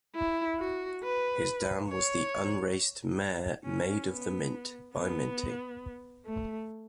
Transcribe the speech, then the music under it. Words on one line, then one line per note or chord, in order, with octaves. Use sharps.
His dam was the unraced mare Maid of the Mint, by Minting.
E4
F#4
B4
C#5
C#4
B3
B3
A3